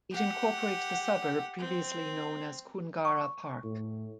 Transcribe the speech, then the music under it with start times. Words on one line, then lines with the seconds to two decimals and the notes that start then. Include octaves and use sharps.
It incorporates the suburb previously known as Koongarra Park.
0.11 G4 F#5
1.59 C4
3.05 C#6
3.64 A2